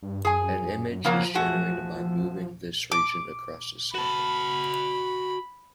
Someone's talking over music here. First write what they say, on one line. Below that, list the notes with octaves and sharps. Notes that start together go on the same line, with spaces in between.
An image is generated by moving this region across a sample.
G2
F#2 G#4 G#5
C#3 F3 F#3 A#3
A3 F#4 G#4
D6
F#4 A5 B5